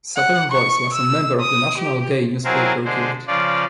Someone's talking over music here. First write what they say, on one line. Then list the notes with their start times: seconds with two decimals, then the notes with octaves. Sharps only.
"Southern Voice" was a member of the National Gay Newspaper Guild.
0.16 F#5
0.52 C#6
0.93 E6
1.40 D#6
1.78 G4
2.45 F#3 C4 E4 G#4 A#4 C5
2.85 D3 G#3 C5
3.27 C#3 F3 F4 D5